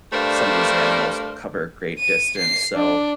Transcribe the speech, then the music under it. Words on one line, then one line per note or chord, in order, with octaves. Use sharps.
some of these animals cover a great distance, so
G2 A3 D4 A#4 C5 F5
D#7
C7
D4